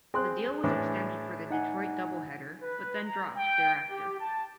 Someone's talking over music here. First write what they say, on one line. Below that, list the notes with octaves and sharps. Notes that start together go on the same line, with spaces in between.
The deal was extended for the Detroit doubleheader but then dropped thereafter.
C4 G#4 C6 F#6
A2 E3 D4
D#4 F#5 G#5
B4
A#5
G5
G4
A5